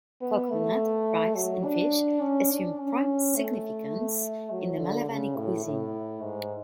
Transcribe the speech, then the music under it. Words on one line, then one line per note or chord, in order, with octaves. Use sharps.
Coconut, Rice and Fish assume prime significance in the Malavani cuisine.
B3
A3
F#3
D4
C#4
D4
C#4
A3
F#3
D3
C#3
A2
A2
G#2